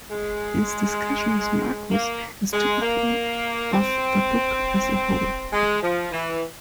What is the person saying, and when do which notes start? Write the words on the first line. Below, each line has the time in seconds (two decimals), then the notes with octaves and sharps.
His discussion with Marcus is typical of the book as a whole.
0.11 G#3
1.91 A#3
2.52 G#3
2.82 A#3
3.72 C4
5.52 G#3
5.82 F3
6.12 E3